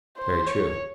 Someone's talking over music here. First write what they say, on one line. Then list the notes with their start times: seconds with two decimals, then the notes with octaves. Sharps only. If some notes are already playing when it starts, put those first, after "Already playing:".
Very true.
0.17 C5
0.46 C#5